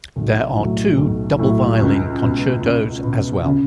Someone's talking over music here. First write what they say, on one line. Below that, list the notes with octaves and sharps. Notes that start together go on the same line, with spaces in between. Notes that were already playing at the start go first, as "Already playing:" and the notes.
There are two double-violin concertos as well.
B1
A2 F#3 A3
B1
A2 F#3 A3
C#2
B2 B3
C#2
B2 B3
C#3